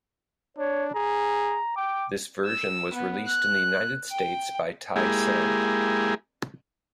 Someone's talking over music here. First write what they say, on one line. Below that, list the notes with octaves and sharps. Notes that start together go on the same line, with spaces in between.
This version was released in the United States by Tai Seng.
D4 C#5
G#4 A#5
G5 D6
E6
B3
F#6
G5
G#3 A#3 E4 G4 G#4